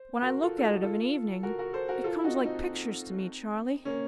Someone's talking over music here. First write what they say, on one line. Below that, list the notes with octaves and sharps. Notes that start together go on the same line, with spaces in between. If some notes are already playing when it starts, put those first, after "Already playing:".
When I look at it of an evening, it comes like pictures to me, Charley.'
Already playing: C5
F#4 A#4
F4 A4
A4
D#4 F#4
F4 A4
F#4 A#4
F#4 A#4
A4 C5
F#4 A#4
F4 A4
D#4 F#4
C4 D#4
A#3 C#4